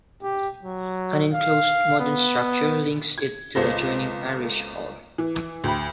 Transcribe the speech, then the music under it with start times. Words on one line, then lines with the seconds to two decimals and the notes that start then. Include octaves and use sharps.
An enclosed modern structure links it to the adjoining parish hall.
0.22 G4
0.63 F#3
1.33 F5
2.00 B3
3.18 G#6
3.55 C#2 B3 A4 C5 A#6
5.18 E3
5.64 D2 G5 B5